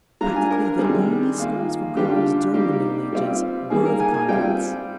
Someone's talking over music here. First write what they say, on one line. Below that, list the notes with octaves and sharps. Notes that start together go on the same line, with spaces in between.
Practically the only schools for girls during the Middle Ages were the convents.
G3 D4 F4 A#5
G#5
A#4
A#4
C3 D#3 G3 G#4
D#3 A#3 F4
D3 G3 D4 F4 G4
G3 A#3 D#4 G4
G3 C4 F4
G3 A#3 D#4 G#4
A#4
G#5
G#5
G3 C4 F4 G5